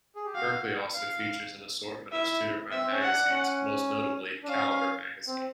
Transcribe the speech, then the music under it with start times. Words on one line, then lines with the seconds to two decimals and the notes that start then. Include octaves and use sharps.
Berkeley also features an assortment of student-run magazines, most notably Caliber Magazine.
0.16 G#4
0.25 G4
0.35 F#4 F5
0.94 F5
2.12 E4 E5
2.72 C4 E5
2.82 C4
2.91 C#4
3.01 F#5
3.11 D4
3.30 C#4
4.44 D4
4.48 C#4 F5
5.27 C4